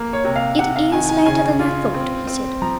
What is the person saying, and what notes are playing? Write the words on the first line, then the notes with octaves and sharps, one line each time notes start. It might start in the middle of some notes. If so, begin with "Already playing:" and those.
"It is later than I thought," he said.
Already playing: A#3
C#5
C3
F5
C3 F#5
F5
D#3 G#5
G#5
C#3 G#5
F4
C4
C4
F3 A#5